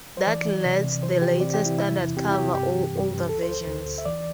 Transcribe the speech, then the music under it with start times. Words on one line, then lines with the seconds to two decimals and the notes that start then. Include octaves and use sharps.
That lets the latest standard cover all older versions.
0.17 C5
0.27 E3 D5
0.46 E3
0.65 C3
0.83 C3
1.03 E3 C5
1.22 E3 G4
1.40 C4 D5
1.54 G4
1.59 E3
1.66 E4
1.78 C3 E4
1.97 E2
2.17 C4 G4
2.31 E4
2.34 C3 G4
2.53 G2 G4
2.72 E3
2.92 G2
3.10 G2
3.29 D2 A4
3.43 C5
3.48 D2
3.68 D2
3.86 D2
3.98 E5
4.05 E3 D5